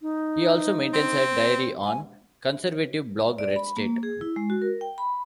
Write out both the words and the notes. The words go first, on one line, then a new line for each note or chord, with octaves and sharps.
He also maintains a diary on the conservative blog RedState.
D#4
C4
G#5
D5
B5
A#3
G#4
E4
G#3
F#4
A#4
G5
B5